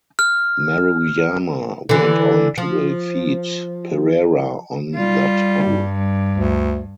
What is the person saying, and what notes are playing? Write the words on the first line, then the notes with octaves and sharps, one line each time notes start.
Maruyama went on to defeat Perera on that hole.
F6
D3 E3
F3
G3 F4
G2
D2